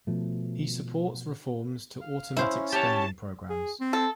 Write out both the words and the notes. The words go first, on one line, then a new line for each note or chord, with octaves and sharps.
He supports reforms to automatic spending programs.
B2 F3 A3
F5
C#4 E4 C5 F5
G4 C#5 A5
G#4
C4
A4